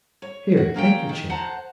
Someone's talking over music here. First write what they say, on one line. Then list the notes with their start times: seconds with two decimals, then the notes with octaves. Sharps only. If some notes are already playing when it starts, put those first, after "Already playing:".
Here, take your chair.'
0.22 C#5
0.57 F#4
0.74 G#3 A#3 C#4 G5
1.09 D#3
1.29 C5 F#5 A5 A#5